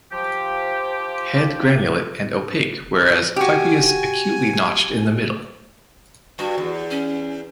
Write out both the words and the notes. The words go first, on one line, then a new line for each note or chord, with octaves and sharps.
Head granulate and opaque whereas clypeus acutely notched in the middle.
F3 G4
F#4 G4 G#5
G2 F#4
E2
C#4